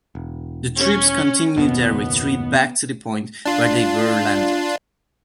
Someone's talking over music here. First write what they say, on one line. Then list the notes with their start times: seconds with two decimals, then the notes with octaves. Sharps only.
The troops continued their retreat back to the point where they were landed.
0.15 E1
0.77 C#4
1.56 F#1 D#2 B2 B3
3.46 D4 F4